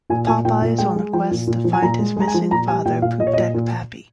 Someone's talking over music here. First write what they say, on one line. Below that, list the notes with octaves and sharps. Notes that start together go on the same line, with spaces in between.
Popeye is on a quest to find his missing father Poopdeck Pappy.
A#2 G#5
A#2 G#5
A#2 G5
A#2
G#3 G5
G#3
F3 G5
A#2
A#2
F3
G#5
A#2 A#5
G#3
G#3 A#5
G#5
F3
A#2 A#5
G3 G#5
A#2 G5
A#2 F5
A#2 D#5
C#5
A#2 D#5
A#2